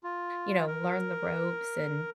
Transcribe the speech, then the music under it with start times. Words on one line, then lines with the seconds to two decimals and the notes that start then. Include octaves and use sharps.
you know, learn the ropes and
0.04 F4
0.67 A#4